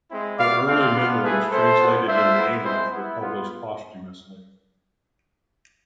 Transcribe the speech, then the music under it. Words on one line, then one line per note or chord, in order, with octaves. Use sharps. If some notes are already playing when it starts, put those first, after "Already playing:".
Her "Early Memoirs", translated into English, was published posthumously.
G#3 C4 E4
B3 E4 D5 F5
A3 C4 F4 D5 F5
B3 D4 F4
A3 E4 G#4 B4
A3 E4 A4 C5
B3 F4
A3 D4 F4 C5 E5
B3 E4
G#3 C4 E4 C5 E5
B3 E4
B3 F4